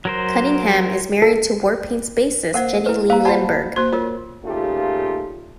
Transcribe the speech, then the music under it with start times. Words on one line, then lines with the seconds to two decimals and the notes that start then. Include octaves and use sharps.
Cunningham is married to Warpaint's bassist Jenny Lee Lindberg.
0.05 F#3 A#4 C5
1.22 A4
2.54 A#3 A#4 C5 F#5
2.86 E4 B4
3.10 A#3 G#4 F5 A#5
3.25 F4 C5 F#5 A5 B5
3.76 A#3 F#4 C5
3.93 F4 A#4 C#5
4.44 A#2 C#3 A3 D#4 F4 G4